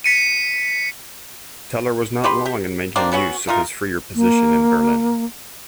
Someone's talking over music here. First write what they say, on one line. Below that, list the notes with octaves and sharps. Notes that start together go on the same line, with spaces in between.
Teller was not long in making use of his freer position in Berlin.
B6 C#7 D#7
D#4 G4 B4 C6
G4
D#3 A#3 C4 D4
F#3 B3 C#4 F#4
A3 D#4 F4 A#4
A#3